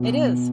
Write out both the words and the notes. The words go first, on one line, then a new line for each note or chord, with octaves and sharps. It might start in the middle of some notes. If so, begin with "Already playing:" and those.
It is.
Already playing: B2